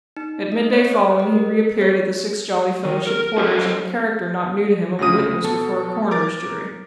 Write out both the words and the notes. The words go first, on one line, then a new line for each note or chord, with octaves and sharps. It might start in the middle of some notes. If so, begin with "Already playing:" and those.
At mid-day following he reappeared at the Six Jolly Fellowship Porters, in the character, not new to him, of a witness before a Coroner's Jury.
D#4
D#5
C#5
C5
D#5
A#4
C#5
D#3
A#4
F#4 A4 C5 D#5
D2 C#3 D#6 A#6
B2 A4
A#4 D6 A6